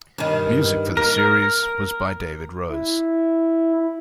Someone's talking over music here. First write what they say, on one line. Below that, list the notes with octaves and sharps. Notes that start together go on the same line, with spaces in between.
Music for the series was by David Rose.
G2 D#3
A#3 A#4
E4